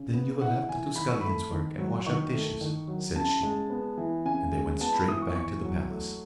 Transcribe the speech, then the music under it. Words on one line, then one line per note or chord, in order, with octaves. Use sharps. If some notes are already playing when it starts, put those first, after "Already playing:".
'Then you will have to do scullion's work, and wash up dishes,' said she; and they went straight back to the palace.
Already playing: C#3
B3
E4 F#5
E3 G#5
D#3 B5
C#6
A3 B5
D#3
F#3
D#3 C#6
A3
D#3
F#3
C#3 A5
G#3
B3
E3
C#3 G#5
G#3
B3 A5
B5
E3 D#6
C#6
E2 C#6
F#3
A3